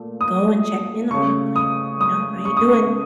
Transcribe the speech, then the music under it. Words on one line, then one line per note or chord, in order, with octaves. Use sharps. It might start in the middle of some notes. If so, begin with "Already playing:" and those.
go and check in on 'em, like, you know, "How you doing?
Already playing: A#2 A3
D#6
C#3 A3 C#4 C#6
D#6
D#6
C#6
D#6
C#6